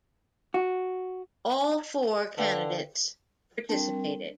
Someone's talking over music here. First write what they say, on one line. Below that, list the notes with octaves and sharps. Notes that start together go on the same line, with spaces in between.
All four candidates participated.
F#4
D3 B4 F5 G5
G3 C4 D4 A#4